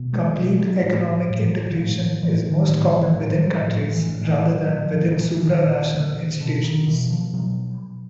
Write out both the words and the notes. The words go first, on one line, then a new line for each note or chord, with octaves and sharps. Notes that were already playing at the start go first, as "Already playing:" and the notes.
Complete economic integration is most common within countries, rather than within supranational institutions.
Already playing: B2
G#3
B2 G#3
F#3
A2
A2
A2 F3
F3
A2 E3
D#3
A2 D#3
E3
A2 D#3
G3
A2 F3
E3
A2
E3
A#2 F#3
F3
A#2
D#3
E3
E3
A#2 D#3
A#2 D3
B2 D3
D#3
B2 E3
F3
B2 F#3